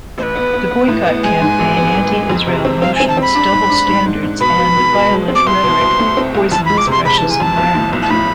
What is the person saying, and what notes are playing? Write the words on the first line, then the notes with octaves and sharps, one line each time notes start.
The boycott campaign, anti-Israel motions, double standards and violent rhetoric poison this precious environment.
A1 B4 C5
B3
B3
B3
A2
B3
G#3 G#5
G#2
G#1
B3
G#1
G#3
F2
C3
C4
C4 F5
G#5
C4
A5
C4 B5
D4
G#2
D4
G#2
G#2
G#2
B2 B5
B2
B2
B2
G#3
C4
D6
C2 C6
B2
C2
A3
C4
C2
F2 A5
B5
G#3
D6
C3 C6
C3 B5
E3 A5
G#5
F2 A5
B1
A2
B1
A5
A2 B5